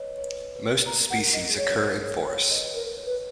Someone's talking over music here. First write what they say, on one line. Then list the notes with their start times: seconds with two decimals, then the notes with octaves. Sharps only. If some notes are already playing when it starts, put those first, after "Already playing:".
Most species occur in forests.
Already playing: B4 C#5 D#5
0.17 C#5
0.24 B4
0.56 B4
0.86 A#4 A#5
1.10 F#5
1.18 A#4
1.34 D#5
1.49 G#4
1.57 C#5
1.81 A#4
2.03 C#5
2.27 C#5
2.51 B4 D#5
2.68 C#5
2.74 A#4 B4
2.97 C#5
3.06 B4